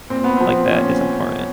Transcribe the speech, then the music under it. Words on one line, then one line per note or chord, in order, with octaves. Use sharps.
like that is important.
A#2 C4
B3
F3 C4
A#2 C#4